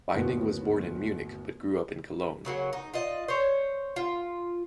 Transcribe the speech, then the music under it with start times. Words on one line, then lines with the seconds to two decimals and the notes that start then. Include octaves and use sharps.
Binding was born in Munich but grew up in Cologne.
0.13 G1 D#2 A2 B3 F#4
2.45 C#3 F#3 A#3 F#4
2.73 D#4
2.94 F4 D5 D#5
3.28 C5 C#5
3.96 F4